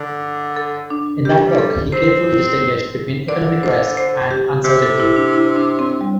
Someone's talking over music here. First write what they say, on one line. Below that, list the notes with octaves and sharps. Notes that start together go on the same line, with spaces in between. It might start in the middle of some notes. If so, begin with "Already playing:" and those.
In that book, he carefully distinguished between economic risk and uncertainty.
Already playing: D3
A4
D4
G3 G4
E3
G3
A4
C4 C5
D3 D5
C5
C5
G4
C3 G4
A4
E4
D4
E4
D4
C4
G3